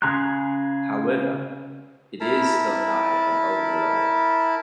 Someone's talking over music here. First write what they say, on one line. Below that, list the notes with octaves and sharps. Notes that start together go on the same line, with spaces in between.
However, it is still high and over long.
C#3 G#4 A#5 C6 F#6
E4 A#4 A5 B5